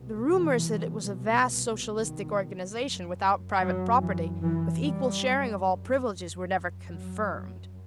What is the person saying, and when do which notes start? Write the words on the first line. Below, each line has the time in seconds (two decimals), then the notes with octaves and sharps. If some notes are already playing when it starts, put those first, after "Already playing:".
The rumors that it was a vast socialistic organization, without private property, with equal sharing of all privileges, were never confirmed.
Already playing: C2 B2
0.28 E3
1.94 D#3
2.77 F#2
3.60 F#3
4.02 E3
4.44 E3
4.85 G3
6.09 F#2
6.91 F#3